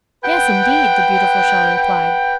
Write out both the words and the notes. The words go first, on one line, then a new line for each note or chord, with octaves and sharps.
"Yes, indeed!" the beautiful shell replied.
B4 F#5 G5